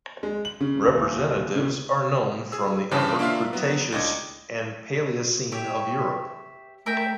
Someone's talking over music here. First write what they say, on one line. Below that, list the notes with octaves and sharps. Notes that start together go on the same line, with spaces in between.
Representatives are known from the upper Cretaceous and the Paleocene of Europe.
G#3
F#7
C#3
D#1
C#3
G#4 E6
G2 C#3 E3 G4 C5 A5
A#3 D4 F4 E5 F5
F#3 B3
C#2 D4 D#5 D6 G#6
G4 C#5 E5
A3 A#4 E5 G5